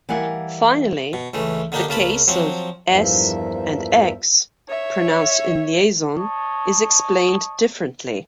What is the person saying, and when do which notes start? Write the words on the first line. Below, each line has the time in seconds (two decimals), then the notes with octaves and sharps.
Finally, the case of "-s" and "-x" pronounced in liaison is explained differently.
0.09 E3 G3 A#4 F5 F#5 G#5
1.13 B2
1.34 C#2 E3 A3
1.72 D3 A#3 D4 D#4 G4
1.89 C#2 A#3 A5 B5
2.28 F3 F#3 C4
2.88 E2 G2 F3 A#3 E5
4.68 C#5 E5
6.16 C#5 D#5 A5